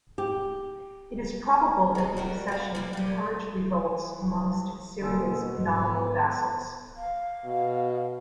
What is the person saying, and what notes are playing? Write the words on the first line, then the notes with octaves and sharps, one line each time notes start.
It is probable that the accession encouraged revolts amongst Assyria's nominal vassals.
G4
G#3 D#4
G3 F#4 A#4
F#4 F5
G3 A#3 B4
A#2 G4
E3 G#5
B2 D3 G#3 A#3 A4 A#4
G#2 B3
F5
B2